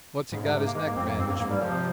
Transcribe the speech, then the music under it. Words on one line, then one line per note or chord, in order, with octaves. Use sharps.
What's he got his neck bandaged for?
G#2 C#3
C3
C3
A#3
G#2 G#3
A#3
F2 C4
A#3
G2 C4
A#3
G#2 A#3
G3
C3 F3